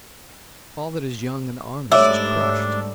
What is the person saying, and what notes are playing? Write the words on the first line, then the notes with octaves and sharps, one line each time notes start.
All that is young and honest is crushed!
G#2 G3 A3 D4 C#5 E5 D6 E6